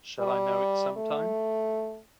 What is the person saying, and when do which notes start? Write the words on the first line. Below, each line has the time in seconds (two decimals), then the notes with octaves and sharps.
Shall I know it sometime?
0.20 G3
0.97 A3